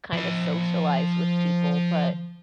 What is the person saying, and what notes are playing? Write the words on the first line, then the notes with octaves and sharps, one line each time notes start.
kind of socialize with people, but
F3 B5